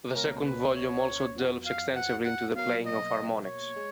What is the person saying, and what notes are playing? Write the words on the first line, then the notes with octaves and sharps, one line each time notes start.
The second volume also delves extensively into the playing of harmonics.
C#2 B2 A#3 C#4 A#4
B4
C#5
F2 F3 B3 F#4
F5
F#5
F#5
B2 F#3 A#3 F5
D#5
C#5
G#3